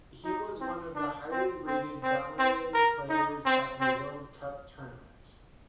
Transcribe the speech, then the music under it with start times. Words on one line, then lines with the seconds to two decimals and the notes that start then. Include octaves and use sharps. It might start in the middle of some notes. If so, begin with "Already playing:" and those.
He was one of the highly rated Ghanaian players at the World Cup tournament.
0.24 D#4
0.60 C4
0.95 D4
1.31 C4
1.67 C4
2.03 C4
2.39 C4
2.74 A#4
3.09 D#4
3.45 C4
3.80 C4